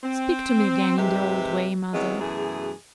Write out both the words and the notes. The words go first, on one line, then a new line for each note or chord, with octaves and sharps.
Speak to me again in the old way, mother.
C4
G#2 C3 G#3 G4 B4 E5
D#3 F#3 G#3 B3 C4 E4
F#2 B2 E3 A3 G#4